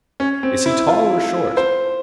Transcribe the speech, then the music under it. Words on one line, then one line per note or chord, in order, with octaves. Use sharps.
"Is he tall or short?"
C#4
C4
E4
F4
C5